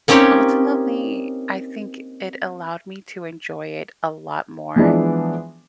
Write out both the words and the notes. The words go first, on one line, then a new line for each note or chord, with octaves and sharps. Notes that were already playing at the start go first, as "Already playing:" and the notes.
ultimately, I think it allowed me to enjoy it a lot more.
A#3 C4 C#4 D#4 G4 C#5
E3 F3 G#3 B3 D4